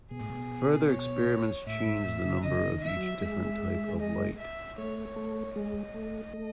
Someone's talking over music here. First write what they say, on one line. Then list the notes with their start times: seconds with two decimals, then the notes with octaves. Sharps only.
Further experiments changed the number of each different type of light.
0.11 B2 G#4
0.20 A2
0.30 B2
0.89 C#5
1.67 A2 E5
1.86 G#2
2.05 A2
2.25 C#3
2.44 C#3 D#5
2.61 C#3
2.71 D#3
2.84 E5
2.96 F#3
3.22 G#3 E5
4.00 D#5
4.39 E5
4.78 A3 C#5
5.16 A3
5.56 G#3 D#5
5.94 A3
6.33 A3